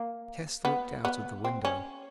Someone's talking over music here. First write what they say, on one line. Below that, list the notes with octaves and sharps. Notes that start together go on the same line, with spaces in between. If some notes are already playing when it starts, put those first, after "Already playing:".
Tess looked out of the window.
Already playing: A#3
B3
B3
C4
C#4